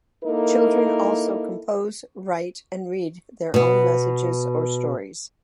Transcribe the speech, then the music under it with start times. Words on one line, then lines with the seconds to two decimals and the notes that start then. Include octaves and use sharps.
Children also compose, write and read their own messages or stories.
0.25 A#3 D#4 E4 A4 A#4
3.54 B2 B3